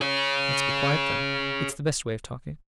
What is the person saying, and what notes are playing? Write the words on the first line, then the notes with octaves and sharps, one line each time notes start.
"Let's be quiet, then: it's the best way of talking."
G#4 C#5